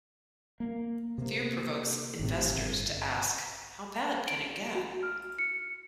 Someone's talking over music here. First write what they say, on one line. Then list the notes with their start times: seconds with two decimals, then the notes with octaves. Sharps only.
Fear provokes investors to ask: How bad can it get?
0.60 A#3
1.18 C3 A#3
2.19 G#1 A2 C3
2.56 G1
4.27 D7
4.75 F#4
5.03 F6
5.39 C#7